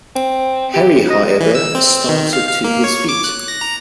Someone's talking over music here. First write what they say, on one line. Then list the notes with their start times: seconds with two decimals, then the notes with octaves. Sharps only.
Harry, however, started to his feet.
0.16 C4
0.74 G4
1.10 D#5
1.41 E3
1.55 E6
1.75 C4
2.09 D#3
2.33 F5
2.48 F5
2.65 A#3
2.84 C#5
3.09 D6
3.24 F#6
3.48 A#6
3.61 A#5